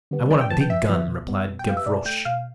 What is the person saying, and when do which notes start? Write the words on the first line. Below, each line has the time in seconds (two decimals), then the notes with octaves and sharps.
"I want a big gun," replied Gavroche.
0.11 D3 G3 B3
0.30 F2 D5
0.41 G5
0.50 D3 F3 B3 A5
0.60 G5
0.70 F2 E5
0.89 D3 F3 B3
1.08 B2
1.28 G3 B3
1.48 B2
1.59 G5
1.67 G3 B3 F5
1.77 E5
1.86 B2 D5
2.05 A3 G5
2.25 B2 F5